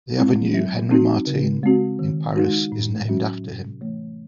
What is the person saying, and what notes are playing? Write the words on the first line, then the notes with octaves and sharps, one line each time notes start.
The Avenue Henri-Martin in Paris is named after him.
G#3 C4 E4
F#3
C4 D#4 F#4
C#3
G#3 C4 F#4
D#3
G#3 D#4 F#4
A2
F#3 C#4 F#4
C3
E3 A3